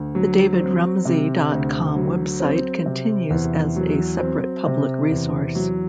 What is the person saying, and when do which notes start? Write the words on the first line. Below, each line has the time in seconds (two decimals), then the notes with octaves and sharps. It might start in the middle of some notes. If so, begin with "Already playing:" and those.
The davidrumsey dot com website continues as a separate public resource.
Already playing: D2
0.15 F#3
0.60 C4
1.05 C3
1.51 D2
1.95 F#3
2.40 C4
2.86 C3
3.30 E2
3.76 F#3
4.21 C4
4.66 C3
5.11 E2
5.55 F#3